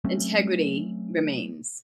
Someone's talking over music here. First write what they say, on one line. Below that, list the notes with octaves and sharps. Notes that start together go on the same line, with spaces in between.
integrity remains.
F#3 A3 C4 C#4